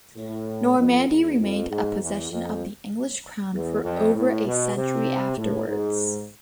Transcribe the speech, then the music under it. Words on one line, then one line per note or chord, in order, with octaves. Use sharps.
Normandy remained a possession of the English crown for over a century afterwards.
A2
F2
E2
F2
G#2
E2
F2
E2
F2
A2
B2
C3
A2
G#2